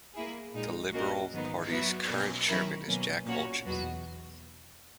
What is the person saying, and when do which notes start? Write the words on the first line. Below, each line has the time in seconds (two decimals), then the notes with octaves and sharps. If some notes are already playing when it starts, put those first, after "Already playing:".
The Liberal Party's current chairman is Jack Olchin.
0.14 A#3 E4 G#4
0.53 A#2 G#3 D#4
0.92 A#3 C#4 F#4 A#4 D#5
1.32 G#2 D#3 F#3 B3 D#4
1.70 F#3 B3 F#4 B4 E5
2.10 B2 A#3 C#4
2.48 D#3 F#3 C#4 E4 A#4
2.87 B2 F#3 A#3 C#4
3.25 A#2 A#3 C#4 F#4 C#5
3.65 E2 B2 F#3 B3 F#4